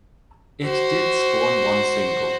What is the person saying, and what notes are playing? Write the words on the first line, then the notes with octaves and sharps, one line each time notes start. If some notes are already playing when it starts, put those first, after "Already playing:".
It did spawn one single.
F#4 C5